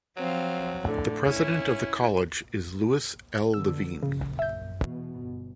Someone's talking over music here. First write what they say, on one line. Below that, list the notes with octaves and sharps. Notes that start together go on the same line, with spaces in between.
The President of the College is Louis L. Levine.
F3 F#3 C4 F5
A2 D3
C#4 E4
B2 D3 E6
A#1 F#2 C#3
E5 G6
E2 B2
G1